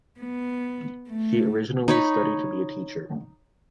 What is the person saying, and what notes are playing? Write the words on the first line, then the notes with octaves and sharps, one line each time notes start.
She originally studied to be a teacher.
B3
A3
D#4 C#5 B5